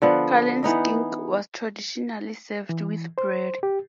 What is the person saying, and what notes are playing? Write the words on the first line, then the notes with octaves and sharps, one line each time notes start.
Cullen skink was traditionally served with bread.
D3 F3 B3
E3 B3 D#4 D#5
E3
C5
G4